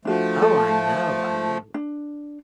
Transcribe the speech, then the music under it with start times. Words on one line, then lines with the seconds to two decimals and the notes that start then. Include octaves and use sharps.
Oh, I know, I know.
0.05 F3 A3 D4 F4 F#4
0.42 A4
1.74 D4